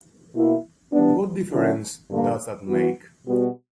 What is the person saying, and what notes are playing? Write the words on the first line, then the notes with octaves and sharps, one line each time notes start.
What difference does that make?
B2 A#3 E4
E3 G3 B3 D4
D3 F#3 C#4 E4
G2 D3 A#3
E3 B3 F#4
B2 G3 B3 F#4